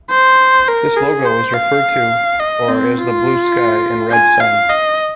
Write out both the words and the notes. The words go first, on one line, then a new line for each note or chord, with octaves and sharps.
This logo was referred to or as the "blue sky and red sun".
C5
A#4
G#4
C5
F5
D#5
C4
F4
G#5
F5
D#5